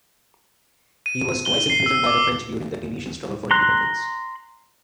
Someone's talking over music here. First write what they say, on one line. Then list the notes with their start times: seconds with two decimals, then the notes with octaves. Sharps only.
He was twice imprisoned by the French during the Tunisian struggle for independence.
1.06 D#7
1.45 G7
1.70 C7
1.86 E6
2.06 D6
3.51 A#5 C6 F#6